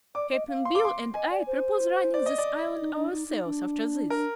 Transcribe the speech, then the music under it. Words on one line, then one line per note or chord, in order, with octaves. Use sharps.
Cap'n Bill and I perpose runnin' this Island ourselves, after this.
D5 D6
D#5
F5
C6
D6
C6
D#5 G#5
D5
C5
D5
D#5
D5
D#4
D4
D#4
D#4
D4
A#4